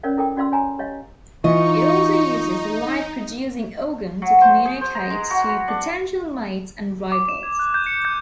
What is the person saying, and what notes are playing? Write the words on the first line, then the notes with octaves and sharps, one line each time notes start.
It also uses the light producing organ to communicate to potential mates and rivals.
C#4 A#4 C#5 D5 F5
E4 A4 A#4 G5 D6
C#4 F#4 D5 F5 C6 E6
C#5 G#5 A#5 B5
G4 C#5 D#5 F5
E3 D#4 F4 D#5 C#6
F#3
C5
G#4
C5
A#5
G#3
F#4
B5
D4
D6
E7
G#6
F#6
G6
C#7
G6